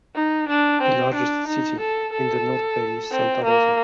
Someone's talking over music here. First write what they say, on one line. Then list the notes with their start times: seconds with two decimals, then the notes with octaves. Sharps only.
The largest city in the North Bay is Santa Rosa.
0.15 D#4
0.48 D4
0.82 C4
1.14 D4
1.47 D#4
1.80 A4
2.13 A4
3.11 C4
3.44 A#3